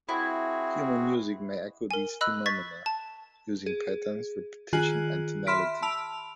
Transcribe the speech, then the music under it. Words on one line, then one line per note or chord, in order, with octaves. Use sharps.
Human music may echo these phenomena using patterns, repetition and tonality.
C4 E4 F#4 G#4
A#4 G#5
D#5 B5 E6 F#6
C#6 G#6 A6 B6
A5
G#4
D#3 F4 G#4 G#5 F#6 F#7
E5 B5 C6 F6 B6 D7
A5 B5 E6 D7 F7